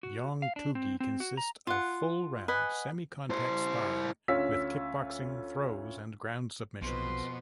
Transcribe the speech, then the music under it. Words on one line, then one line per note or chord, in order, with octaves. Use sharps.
Yongtoogi consist of full round, semi-contact sparring, with kickboxing, throws, and ground submissions.
F#4
F5
D4
C4
C4
F#4
A#5
F4 F#5
B4 D#5 F#5 G#5
E4 C5
D2 C#4 F4 E6 B6
B1 F2 B2 B4 C5 C6